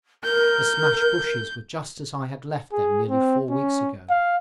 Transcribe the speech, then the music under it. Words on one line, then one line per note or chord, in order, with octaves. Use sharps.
The smashed bushes were just as I had left them nearly four weeks ago.
A#4 G6
G#4
C4
C#4
F5